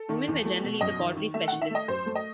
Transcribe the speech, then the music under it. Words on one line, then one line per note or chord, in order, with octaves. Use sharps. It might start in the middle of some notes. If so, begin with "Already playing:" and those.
Women were generally the pottery specialists.
Already playing: A4
D#3
E2
A3
B2
F#2 D#5
D#3
D#3
A3 E5
F#5
D#3
E5
A3 D#5
F#2 C5
A3
D#5